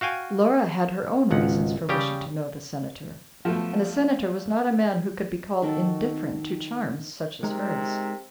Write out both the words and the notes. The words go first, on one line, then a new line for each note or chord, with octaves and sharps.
Laura had her own reasons for wishing to know the Senator, and the Senator was not a man who could be called indifferent to charms such as hers.
F#4 F5 G5 G#5
G#1 C#2 F#5
C#3 G3 G4
F3 A3 B3
D#3 F#4 A4 G5
C3 G#3 D#4 A#4